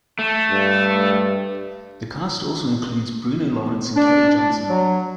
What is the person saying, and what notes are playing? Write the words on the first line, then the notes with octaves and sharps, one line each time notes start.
The cast also includes Bruno Lawrence and Kelly Johnson.
A3
G2
D4
D4
F#3